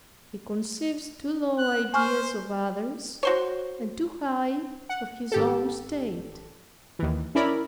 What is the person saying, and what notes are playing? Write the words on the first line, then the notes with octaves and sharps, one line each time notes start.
He conceives too low ideas of others, and too high of his own state.
F#6
C5 G#5 C#6 F6
F#4 C5 C#5
F#5
G#1 G4 A4
D#2 E3
C#4 E4 A#4 D5 B5